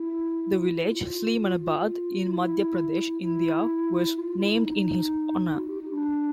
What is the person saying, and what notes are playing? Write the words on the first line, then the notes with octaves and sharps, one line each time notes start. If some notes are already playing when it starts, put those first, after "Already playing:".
The village Sleemanabad in Madhya Pradesh, India was named in his honour.
Already playing: E4
F4
F4
E4
E4
F4
E4
D#4
F#4
G4
D#4
D4